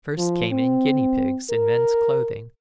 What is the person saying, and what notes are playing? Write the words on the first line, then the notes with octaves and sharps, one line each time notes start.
First came in guinea pigs in men's clothing.
F3
C4
A#4